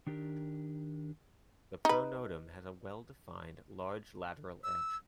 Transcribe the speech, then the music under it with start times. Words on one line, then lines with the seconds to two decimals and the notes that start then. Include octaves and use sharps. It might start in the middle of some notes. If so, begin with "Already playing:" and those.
The pronotum has a well defined, large lateral edge.
0.07 D#3 D4 G4 A#4
1.85 D#4 B4
4.64 E6